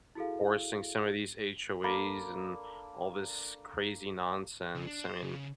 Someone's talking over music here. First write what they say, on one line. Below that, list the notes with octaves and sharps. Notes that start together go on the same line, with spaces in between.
forcing some of these HOAs and all this crazy nonsense, I mean,
E4 F#4 G#4 A4 F5
A#3 D4 A4 B5
C#3
D4
C5
C#3